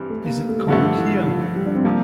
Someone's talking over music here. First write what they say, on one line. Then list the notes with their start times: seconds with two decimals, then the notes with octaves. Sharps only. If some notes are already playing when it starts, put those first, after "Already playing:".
Is it cold here?
Already playing: G2 E3 G3 C4
0.10 A3
0.25 A#3
0.39 A#3
0.49 A3
0.59 G3
0.68 G2 D3 F3 A3
0.97 E3
1.27 F3
1.56 G3
1.66 D4
1.75 C4
1.84 C3 F3 A#3